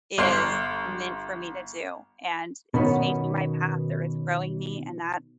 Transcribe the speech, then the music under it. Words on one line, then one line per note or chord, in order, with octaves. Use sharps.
is meant for me to do, and it's changing my path or it's growing me, and that's
G1 C6
B2 D#3 B3 C#4